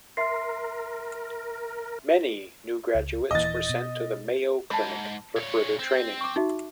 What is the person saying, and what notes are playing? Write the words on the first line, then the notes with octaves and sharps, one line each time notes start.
Many new graduates were sent to the Mayo Clinic for further training.
A#4 E5 C6 C7
C#2
D#1 E3 D#5 A6
B2
G#2 A5 B5
A#2 C#5
C4
C#6 D6
D#4 F#4 E5